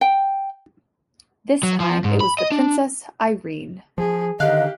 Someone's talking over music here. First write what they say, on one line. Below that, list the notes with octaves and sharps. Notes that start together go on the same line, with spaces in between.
This time it was the "Princess Irene".
G5
F#3
F3
G#2
B5
D#5
D4
F3 G#4
D3 D#3 G4 D#5 F5 F#6